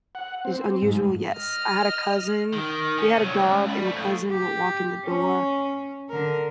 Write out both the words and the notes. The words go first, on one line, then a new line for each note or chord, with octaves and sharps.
is unusual? Yes, I had a cousin we had a dog, and the cousin would walk in the door,
F#5
C4
G#2
D#5 F6
D#3
C#4
C2 F#3
C#2
D5 B5
F3 A3
G4
C#4
D3 A#4